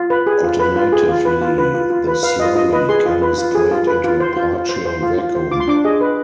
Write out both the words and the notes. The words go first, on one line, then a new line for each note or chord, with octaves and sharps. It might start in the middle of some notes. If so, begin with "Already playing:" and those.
Alternatively, the slurry can be sprayed into a partial vacuum.
Already playing: F4
B4
G#4
F4
B4
F4
G#4
F4
B4
F4
B4
F4
F4
B4
B4 F5
F4 D#5
F4 D#5
B4 D#5
G#4 C6
F4
B4
F4
G#4
F4
B4
F4
C5
F4
F4
C5
C5
F4
F4
C5
F4 D6
C6
D4 D6
G#4 D#5
B4